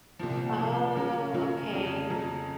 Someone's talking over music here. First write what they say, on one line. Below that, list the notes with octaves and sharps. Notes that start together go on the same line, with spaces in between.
Oh, okay.
C2 A#2 F3
C2 A#2 F3
C#3 F#3 C#4 F4
C#3 F#3 C#4 F4
F2 C#3 F#3
F2 C#3 F#3